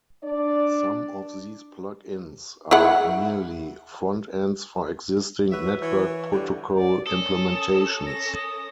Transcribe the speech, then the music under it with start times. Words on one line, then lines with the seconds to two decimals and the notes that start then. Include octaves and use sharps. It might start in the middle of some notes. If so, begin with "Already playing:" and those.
Some of these plugins are merely front ends for existing network protocol implementations.
0.24 D4 D5
2.71 E4 G#4 F#5
5.52 F#4 B4 C#5 E5
5.81 E3 C#5
6.33 G2 D3
6.77 D5
7.07 C#4 A4 A#4 D#6
8.06 A#6
8.35 D#6